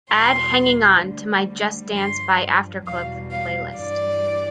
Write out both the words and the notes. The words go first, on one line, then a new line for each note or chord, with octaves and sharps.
Add Hanging On to my just dance by aftercluv playlist.
E2 B2 G3 C6
D2 D3 G3
G2 F3 C6
E2 B2 G3 F5
F5
G2 E3 G3 D5